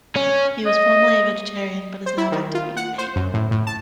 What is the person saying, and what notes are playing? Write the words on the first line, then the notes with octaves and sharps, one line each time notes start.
He was formerly a vegetarian, but is now back to eating meat.
C#4
D#5
C5
E4
D#3
F4
F#5
C5
F#2
A2
A2
A5